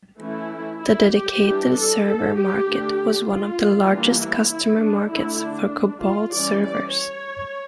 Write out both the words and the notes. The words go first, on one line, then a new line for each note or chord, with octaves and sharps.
The dedicated server market was one of the largest customer markets for Cobalt servers.
E3 A3 C#4 E4
E4
G4
E3 G3 D4
A4
A4
G4
D3 A3 D4
F4
E3 G3 A#3 D4
E4
E4
D4
D3 A3 D4 E4
D4
F4
E3 G3 C#4 D5
D5
C#5